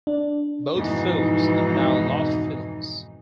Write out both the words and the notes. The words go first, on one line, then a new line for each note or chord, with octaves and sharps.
Both films are now lost films.
D4
F2 G#2 B2 E3 D#4